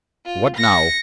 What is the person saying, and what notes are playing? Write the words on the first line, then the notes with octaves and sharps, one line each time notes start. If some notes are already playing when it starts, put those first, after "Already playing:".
"What now?"
F4
A#6 C#7